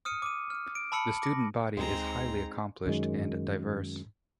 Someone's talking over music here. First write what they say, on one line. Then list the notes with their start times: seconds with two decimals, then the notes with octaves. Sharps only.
The student body is highly accomplished and diverse.
0.05 D#6 F6 C#7 D#7
0.22 D6 D#7
0.50 F6
0.75 D7
0.92 A5 B5 E6 C#7 F#7
1.22 D6 A#6
1.77 D2 G#3 C4 D#4 A#5
2.86 F#2 D#3 G#3